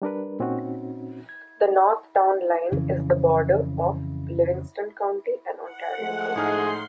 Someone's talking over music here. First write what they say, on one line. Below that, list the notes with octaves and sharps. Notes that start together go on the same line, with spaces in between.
The north town line is the border of Livingston County and Ontario County.
G3 D4 A#4 B4
A#2 C4 C#4 D#4 F#4
G#6
F2 C#3 E3
F#5
F3 G#3 A3
A2 D#4 G#4 C6 F6